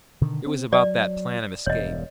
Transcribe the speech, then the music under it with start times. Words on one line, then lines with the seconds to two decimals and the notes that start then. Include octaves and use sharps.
It was about that plan of escape.
0.21 B2 D3 D#3
0.46 C4
0.73 F#3 D5
1.66 E1 G2 C#5 D#5